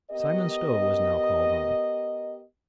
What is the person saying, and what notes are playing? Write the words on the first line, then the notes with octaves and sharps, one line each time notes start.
Simon Stow was now called on.
B3 G4 A#4 D#5